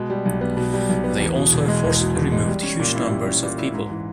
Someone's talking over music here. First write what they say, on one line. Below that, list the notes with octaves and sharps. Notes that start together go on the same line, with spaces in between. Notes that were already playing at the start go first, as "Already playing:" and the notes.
They also forcibly removed huge numbers of people.
Already playing: B2 G#3
G3
B1
B3
B2
G3
B1
B3
E2
B2
E1
G#3
E2
B2
E1
G#3
G3
C#4
A#2
E4
G3
C#4
A#2
E4
G#2
E3